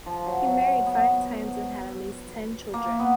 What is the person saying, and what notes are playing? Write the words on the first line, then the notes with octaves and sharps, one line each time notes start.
He married five times and had at least ten children.
F3
F#3
F#3
B3
A#3
B3